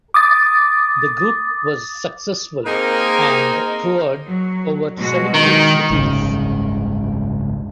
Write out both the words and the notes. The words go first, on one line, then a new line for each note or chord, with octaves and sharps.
The group was successful and toured over seventy cities.
D6 D#6 A6
A#3 C4 D#4 G#4 A#4
F#3
B2 G#3 F#4
D#3
F#1 C2 G#2 C#3